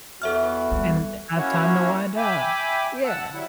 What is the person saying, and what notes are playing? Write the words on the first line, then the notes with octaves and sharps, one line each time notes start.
And have time to wind down, yeah.
E2 E3 F#4 A4 E5 F6
G3
A#3 C#4 E4 F#4 C#5
E5 G5 G#5 B5 D6
F#5 A5 E6
F#3 G3 E4